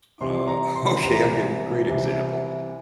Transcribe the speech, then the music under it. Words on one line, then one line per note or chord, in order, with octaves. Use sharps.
Uh, okay, I'll give great example.
C2 C3 E3 C6
A#5
C6
C2 C3 E3 A#5
C2 C3 E3